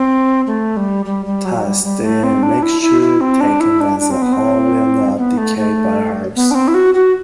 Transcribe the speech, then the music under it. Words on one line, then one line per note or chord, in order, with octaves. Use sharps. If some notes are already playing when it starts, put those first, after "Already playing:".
Thus, the mixture taken as a whole will not decay by halves.
Already playing: C4
A3
G3
G3
G3
F#3
G3
G3
A3
C4
D4
E4
E4
E4
C4
D4
E4
D4
D4
C4
B3
C4
B3
A3
A3
B3
D4
C4
E4
F#4
F#4